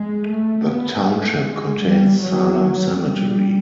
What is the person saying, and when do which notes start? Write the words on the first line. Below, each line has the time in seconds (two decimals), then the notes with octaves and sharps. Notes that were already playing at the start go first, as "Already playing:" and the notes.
The township contains Salem Cemetery.
Already playing: G#3
0.31 A3
0.69 B3
1.06 A3
1.44 G#3
1.82 G3
2.19 F#3
2.95 G3